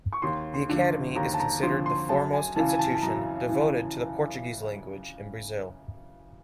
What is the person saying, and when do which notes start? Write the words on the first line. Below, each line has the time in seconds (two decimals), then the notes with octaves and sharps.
The Academy is considered the foremost institution devoted to the Portuguese language in Brazil.
0.13 C#6
0.22 D#2 C6
0.54 C6
0.69 D3 F3
1.16 D#2 A#5
1.34 A5
1.40 A#5
1.63 D3 F3 C6
1.86 C6
2.09 F#2 A5
2.33 G#5
2.56 C#3 E3 A5
2.69 G#5
2.79 A5
2.95 A5
3.02 F#2 A#5
3.49 C#3 E3